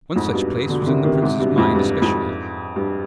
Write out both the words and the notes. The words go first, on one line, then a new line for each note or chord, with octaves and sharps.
One such place was in the prince's mind especially.
F2 G#2
G2 B2
B2 D3
D3
C3 D#3
C3 D#3
G#2 C3
G2 B2
F2 G#2
G2
F2 G#2
G2